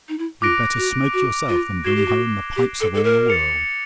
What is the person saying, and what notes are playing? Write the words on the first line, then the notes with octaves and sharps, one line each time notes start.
You'd better smoke yourself, than bring home the pipes of all the world.
D#4
E4
F4 D6 F#6 A#6 D7
F#4
F#4
F4
F#4 G#6 C7 E7 G7
G4
F#4
G4
A4
A4
A#4
A6 C#7 F7